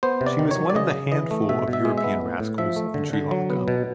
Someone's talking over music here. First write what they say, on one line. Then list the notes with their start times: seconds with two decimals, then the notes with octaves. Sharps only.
She was one of the handful of European Radicals in Sri Lanka.
0.03 B3 C5
0.21 C3
0.26 D5
0.39 D#3
0.51 C#5
0.57 F#3
0.70 D5
0.75 C#3 D#5
0.93 C#3
1.12 E3 D#5
1.31 A3
1.49 B2 E5
1.68 B2
1.73 E5
1.85 G#3
1.98 E5
2.04 B3
2.21 A2
2.40 A2
2.58 F3 E5
2.76 A3
2.94 D3
3.13 D3
3.31 F#3
3.50 B3
3.68 B2